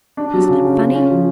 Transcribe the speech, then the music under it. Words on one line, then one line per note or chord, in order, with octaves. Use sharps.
Isn't it funny?
D4
F#3
C#3
C#3
F4
C#4
F3